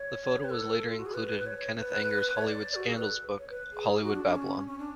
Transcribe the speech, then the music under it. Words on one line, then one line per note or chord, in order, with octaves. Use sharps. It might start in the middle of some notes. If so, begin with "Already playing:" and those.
The photo was later included in Kenneth Anger's Hollywood scandals book, "Hollywood Babylon".
Already playing: C#5
B4
A4
F4
F#4
G#4
B4
C#5
B4
C#5
D5
F#4
G#4
A4
B4
C#5
B4
G#4
F#4
D4
D4
C#4
C#4
D4